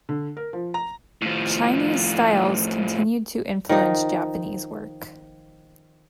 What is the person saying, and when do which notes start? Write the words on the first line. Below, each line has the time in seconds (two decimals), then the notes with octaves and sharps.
Chinese styles continued to influence Japanese work.
0.09 D3
0.37 A#4
0.53 F3
0.74 A#5
1.22 A2 F3
3.69 D#3 F3 D#4